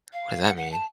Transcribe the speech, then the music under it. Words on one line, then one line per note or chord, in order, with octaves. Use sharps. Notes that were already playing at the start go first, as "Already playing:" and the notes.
What does that mean?
F5
F#5
F#5
A5